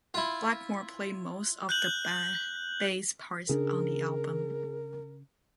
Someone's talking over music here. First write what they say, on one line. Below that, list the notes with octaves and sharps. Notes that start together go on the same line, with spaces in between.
Blackmore played most of the bass parts on the album.
E4 F4
F#6 G6 F#7
C#3 C#4 D4 G#4 A#4